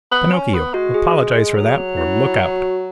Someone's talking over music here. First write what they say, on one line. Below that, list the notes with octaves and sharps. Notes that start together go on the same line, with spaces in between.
"Pinocchio, apologize for that, or look out!"
B3
C#4
B3
G#3 F#4
G#4
G#4
F#3
E4
F#4